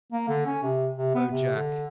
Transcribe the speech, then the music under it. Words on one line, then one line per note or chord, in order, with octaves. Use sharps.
"Oh, Jack!"
A#3
D3
C#4
C3
C3
B3
C3
D3